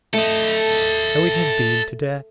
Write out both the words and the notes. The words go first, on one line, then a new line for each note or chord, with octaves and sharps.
So it had been today.
A3 A4 D#5